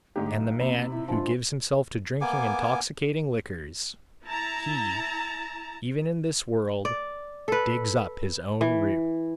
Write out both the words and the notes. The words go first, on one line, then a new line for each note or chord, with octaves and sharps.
And the man who gives himself to drinking intoxicating liquors, he, even in this world, digs up his own root.
G#2 D3 A3 D#4 G4
B1
C3 A#3 B5
E4 E5
F3 G#3 D4 F4
A#3 B3 G#5 D6
E4 A5 A#5
D5
A4 B4
E3